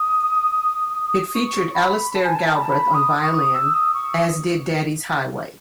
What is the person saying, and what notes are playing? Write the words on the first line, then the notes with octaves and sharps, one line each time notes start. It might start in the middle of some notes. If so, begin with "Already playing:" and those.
It featured Alastair Galbraith on violin, as did "Daddy's Highway".
Already playing: D#6
C#6
B5
A5
G#5
A5
B5
A5
B5
D#6
C#6
D#6
E6
D#6
C#6